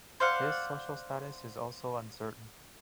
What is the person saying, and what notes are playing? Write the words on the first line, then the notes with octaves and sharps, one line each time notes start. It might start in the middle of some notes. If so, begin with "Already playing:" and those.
His social status is also uncertain.
C5 D5 F5 F#5